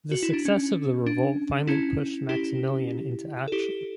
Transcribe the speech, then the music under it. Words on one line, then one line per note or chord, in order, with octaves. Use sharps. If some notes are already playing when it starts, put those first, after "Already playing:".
The success of the revolt finally pushed Maximilian into action.
F#4
E4
D4
C#4
D4
C#4 E4
E4 G4
A4
E4 G4